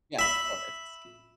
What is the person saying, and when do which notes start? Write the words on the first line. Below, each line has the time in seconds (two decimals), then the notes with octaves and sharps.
Yeah, of course.
0.19 E5 B5